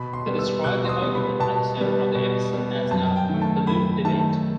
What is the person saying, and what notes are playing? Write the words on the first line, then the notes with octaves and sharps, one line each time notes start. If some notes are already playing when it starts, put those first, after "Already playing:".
They described the argument at the center of the episode as a "balloon debate".
Already playing: B2 B5
C6
G3 B3
E6
B2 F#6
C6
D#6
G3 B3
B5
B2 A5
G3 B3
B2
G3 B3
F#2 A5
G5
D#3 A3
A5
F#2 B5
D#3 A3 A5